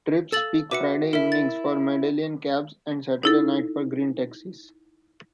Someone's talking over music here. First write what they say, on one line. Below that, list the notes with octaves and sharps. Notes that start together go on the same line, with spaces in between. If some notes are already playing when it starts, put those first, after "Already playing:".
Trips peak Friday evenings for medallion cabs, and Saturday night for Green Taxis.
A4 F5 E6 A6 F#7
F#4 B4 E5 D6 C#7
E4 A#4 E5
A6
D#4 E4 A4